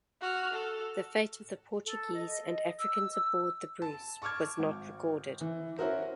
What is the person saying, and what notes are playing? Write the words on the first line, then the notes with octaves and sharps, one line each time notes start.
The fate of the Portuguese and Africans aboard the "Bruce" was not recorded.
F#4 F6
A4
A4
D#5
E6
A5
A5 C#6 D6 F6 G#6
G#1
E3
C#4 E4 F#4 A#4 C5